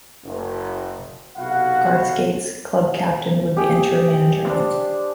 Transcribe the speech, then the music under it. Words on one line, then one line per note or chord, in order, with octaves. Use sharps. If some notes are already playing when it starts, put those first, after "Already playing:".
Garth Scates, Club captain would be interim manager.
F#1
B1 C3 E4 F#4 F5 F#5
G4 G#4 G5
D4 C5